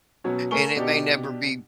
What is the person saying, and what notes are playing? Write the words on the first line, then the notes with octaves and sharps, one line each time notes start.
and it may never be, m
B2 F#3 C#4
A3 A#4 G#5 C#6 G7
B2 D4 D#4 G4